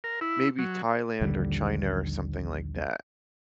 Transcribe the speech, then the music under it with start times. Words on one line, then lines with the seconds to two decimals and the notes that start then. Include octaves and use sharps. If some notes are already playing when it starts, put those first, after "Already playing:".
maybe Thailand or China or something like that.
0.04 A#4
0.21 E4
0.59 F#3
1.21 A#1 D#2 D3 G3